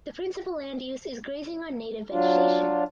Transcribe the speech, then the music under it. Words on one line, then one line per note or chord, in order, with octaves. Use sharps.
The principal land use is grazing on native vegetation.
F#3 D4 F4